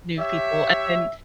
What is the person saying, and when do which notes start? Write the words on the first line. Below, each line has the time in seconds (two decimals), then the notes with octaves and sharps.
new people and then
0.19 G4 C#5 E5